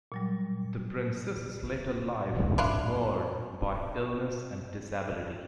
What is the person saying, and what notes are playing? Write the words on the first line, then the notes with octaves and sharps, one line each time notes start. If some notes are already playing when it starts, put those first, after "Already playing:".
The Princess's later life was marred by illness and disability.
A#2 F#3 G3
D4 E4 F4